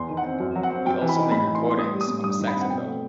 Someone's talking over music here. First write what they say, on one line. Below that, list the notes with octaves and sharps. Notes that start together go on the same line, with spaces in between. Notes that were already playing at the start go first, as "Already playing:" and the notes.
He also made recordings on the saxophone.
Already playing: E2 C6
D#3
F#5
C4
F#2
F#3
F#5
C4
F#2 G5
E3
B5
D#4
A2 B5
E3
C6
E4
C6
A2 D#6
G3
D#6
A2
G2 D#6
D#3
B5
C4
F#5
B2 G5
A3